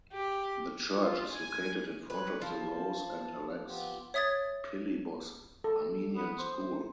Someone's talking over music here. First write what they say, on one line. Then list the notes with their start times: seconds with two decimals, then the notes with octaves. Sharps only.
The church is located in front of the Rose and Alex Pilibos Armenian School.
0.12 G4
0.92 F4
1.30 G#5
2.10 G3 B4 C#5
2.42 F3 A5
3.65 B3 F4 G4
4.14 C#5 E5 D#6 G#6 A6
5.64 A4
6.16 B3
6.38 C5